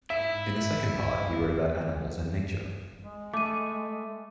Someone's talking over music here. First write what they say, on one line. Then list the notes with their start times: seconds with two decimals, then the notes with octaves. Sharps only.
In the second part he wrote about animals and nature.
0.10 G#2 E4 E5
3.04 G#3
3.34 A3 D6 D#7